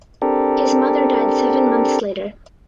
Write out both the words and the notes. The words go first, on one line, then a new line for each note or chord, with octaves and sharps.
His mother died seven months later.
C4 D4 G4 A4 A#4